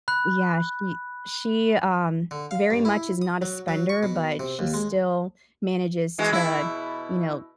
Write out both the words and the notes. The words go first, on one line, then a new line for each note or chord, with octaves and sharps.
Yeah, she she, um, very much is not a spender, but she still manages to, you know,
B5 F#6
D3
F5
G2
E4
D#6
F#3
F#3
C#6
B2
C3
D#2
G#3
E3 G#3 F#4
B2 E4